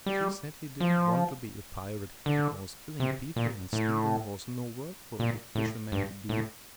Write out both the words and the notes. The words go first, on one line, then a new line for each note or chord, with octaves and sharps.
But he said he didn't want to be a pirate, because killing people and stealing was no work for a good fisherman to do.
G3
F3
D3
C3
A#2
A2
A#2
A2
G2
A2